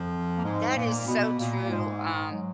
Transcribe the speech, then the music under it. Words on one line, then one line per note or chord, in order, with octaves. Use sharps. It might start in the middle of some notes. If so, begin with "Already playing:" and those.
that is so true. Um,
Already playing: F2 F3
A#3
G#2 G#3
G#3
A#2 A#3
A#3
B2 B3
A#2 A#3
A#3
G#2 G#3
F#3